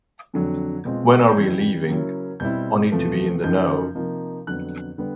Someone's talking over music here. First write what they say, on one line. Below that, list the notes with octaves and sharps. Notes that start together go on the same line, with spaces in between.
When are we leaving? I need to be in the know!
F2 D3 F#3
B2 G#3 C4 F4
G6
F2 C#3 E3 G3 G#6
C#3 F#3 A#3 C#4 E4
B2 G3 C4 E4 G6
E2 C3 F3 A3
F#2 C#3 F3 A#3 D#4 G6
C3 F3 A#3 D#4
F2 D3 F#3 B3 F#6
D3 G3 B3